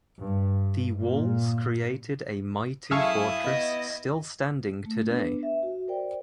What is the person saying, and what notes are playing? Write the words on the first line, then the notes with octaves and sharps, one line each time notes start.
The walls created a mighty fortress still standing today.
G2
A#2
F#2 E4 G#4 A4 E5 F5 C#6 D#6
B3 D#5
A3
B3 D4 B4
E5
F#4
A#4 C5 D5 G5